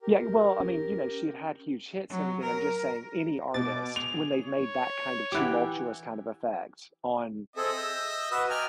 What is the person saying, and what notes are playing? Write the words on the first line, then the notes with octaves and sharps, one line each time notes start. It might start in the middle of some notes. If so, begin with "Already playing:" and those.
Yeah, well, I mean, you know, she had had huge hits and everything. I'm just saying any artist when they've made that kind of tumultuous kind of effect on
G4 A#4
C#4
F#3
A#4
B2 D6 A6
G#4 F7
C#5
E3 E4 G4 F#5 D6
C4 G#4 A4 D#5 E5
E6 G6
F#4 B4 D#5 D#6 E6
D5 D#5 G5 G#5 A#5 F6